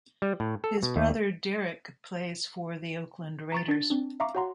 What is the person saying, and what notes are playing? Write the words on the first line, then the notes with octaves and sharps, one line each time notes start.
His brother, Derek plays for the Oakland Raiders.
G3
A2
A4
B2
D#2
A#5 C#6 A6
D4 A6
C4 D4
E5 F5 A#5 C#6 D6
F#4 C#5 F#5 A#5 C6